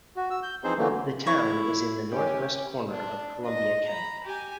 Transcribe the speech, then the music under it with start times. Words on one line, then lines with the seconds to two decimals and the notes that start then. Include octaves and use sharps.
The town is in the northwest corner of Columbia County.
0.16 F#4
0.30 E6
0.43 G6
0.64 E3 F3 C4 D#4 G#4 C5
0.78 D3 E3 F#3 A3 A#3
1.27 E4 C#5
2.11 C#4 G4
2.91 D4
3.45 D#5
3.86 A#5 B5
4.24 G4 G#5